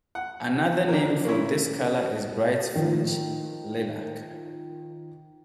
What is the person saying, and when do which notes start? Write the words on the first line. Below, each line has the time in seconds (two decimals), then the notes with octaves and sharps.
Another name for this color is bright French lilac.
0.15 F#5
0.88 D4 A#4
1.25 A#3 C#4 E4
2.75 D#3 F3